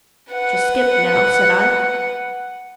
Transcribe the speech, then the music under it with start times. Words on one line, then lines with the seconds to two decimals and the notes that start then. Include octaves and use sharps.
"She'll skip now," said I.
0.33 B4 F#5